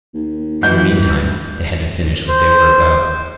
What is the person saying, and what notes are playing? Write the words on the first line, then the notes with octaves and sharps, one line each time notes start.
In the meantime they had to finish what they were about.
D#2
E3 G6
C5